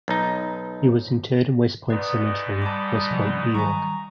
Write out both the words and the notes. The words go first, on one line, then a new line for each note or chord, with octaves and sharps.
He was interred in West Point Cemetery, West Point, New York.
B1 D#4
G#2 B3 D#4 B4 D5
G3 A5 D6
C3 F3
D#3 F#3 G3 G#5 A#5 C#6